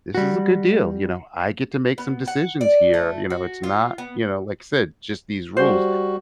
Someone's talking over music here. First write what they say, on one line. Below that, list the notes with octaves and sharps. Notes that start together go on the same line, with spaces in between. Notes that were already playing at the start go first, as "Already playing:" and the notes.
This is a good deal, you know? I get to make some decisions here, you know? It's not, you know, like said, just these rules
G3 F#4
B3
F#5
D5
A3
F#4
F4
B3
G3 F#4 C5